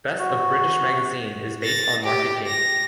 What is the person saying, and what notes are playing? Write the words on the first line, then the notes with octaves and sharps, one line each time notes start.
"Best of British" magazine is based on Market Gate.
F#4
A6 A#6
G4
A#6